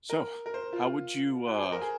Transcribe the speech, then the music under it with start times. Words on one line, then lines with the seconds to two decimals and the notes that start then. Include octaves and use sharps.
So, how would you, uh,
0.10 A#4
0.46 A#4
0.54 C5
0.73 F4
1.47 F#4
1.54 G#4
1.63 C5
1.72 A#4
1.82 G#4